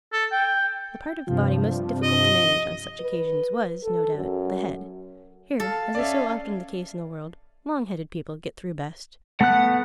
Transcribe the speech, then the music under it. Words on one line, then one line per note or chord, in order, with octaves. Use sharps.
The part of the body most difficult to manage on such occasions was, no doubt, the head; here, as is so often the case in the world, long-headed people get through best.
A4
G5
G2 C3 F3
D#5
B4
A4
F#2
A4 F5
C#4 D5 E5 F5
A3 B3 F#5 F#6